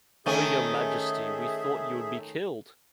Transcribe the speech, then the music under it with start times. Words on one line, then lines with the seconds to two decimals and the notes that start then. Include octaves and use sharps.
Oh, your Majesty, we thought you would be killed!
0.26 D#3 A3 C#4 G#4 E5